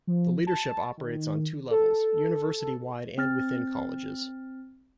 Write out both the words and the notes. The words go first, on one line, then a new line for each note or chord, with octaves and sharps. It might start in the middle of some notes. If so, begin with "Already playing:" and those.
The leadership operates on two levels - university wide and within colleges.
F3
A5
D#3
A4
C4 F6 A6